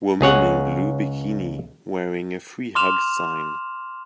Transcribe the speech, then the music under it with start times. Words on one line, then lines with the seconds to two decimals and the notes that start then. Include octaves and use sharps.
Woman in blue bikini wearing a free hugs sign.
0.21 C#2 G#4 C#5 F#5
2.75 C6 D6 F6 E7 F7